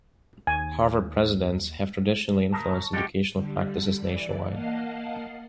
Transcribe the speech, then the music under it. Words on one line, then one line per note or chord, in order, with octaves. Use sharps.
Harvard presidents have traditionally influenced educational practices nationwide.
D#2 G#5
D2 A#2 A#4 A5 B5 D#6
A5 C#6
A2 G3 G#3 F#4 G4 A4
D3 G3
E3 D5
A#3 D#5 F5 F#5 A5 C7